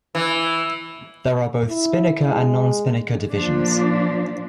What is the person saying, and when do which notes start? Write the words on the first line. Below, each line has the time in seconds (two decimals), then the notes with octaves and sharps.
There are both Spinnaker and Non-Spinnaker Divisions.
0.15 E3
1.68 E4
2.29 G#3
3.31 A#2 F3 D4